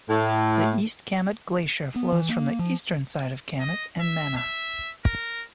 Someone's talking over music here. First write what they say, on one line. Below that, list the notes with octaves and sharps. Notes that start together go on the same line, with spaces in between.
The East Kamet Glacier flows from the eastern side of Kamet and Mana.
A2
B3
E3
A#3
F3
D#5
E5
E5
A#4